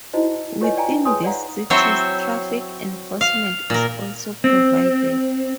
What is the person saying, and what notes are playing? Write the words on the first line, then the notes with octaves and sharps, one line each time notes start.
Within these cities, traffic enforcement is also provided.
D#4 E4 F#4 C5 D#5
F4 G4 B4 C#5 D#5 G#5
D5 G5 G#5 A#5
D#4
G#4 B4 C#5 G#5 C6 D#6
C#5 D5 F5 F#5 A#5
F#3 C4 E4 C5 C#5 E5
F5
A#2 A#4
C4